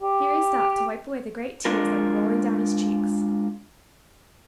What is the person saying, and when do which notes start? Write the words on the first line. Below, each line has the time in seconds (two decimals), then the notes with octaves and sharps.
Here he stopped to wipe away the great tears that were rolling down his cheeks.
0.02 G4
1.65 G#3 D4 F4 A#4